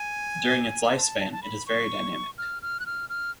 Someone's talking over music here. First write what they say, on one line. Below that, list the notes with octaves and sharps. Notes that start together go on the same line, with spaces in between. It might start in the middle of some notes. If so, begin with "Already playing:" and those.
During its lifespan, it is very dynamic.
Already playing: G#5
A5
A5
A5
B5
C#6
F6
F6
F#6
F6
F6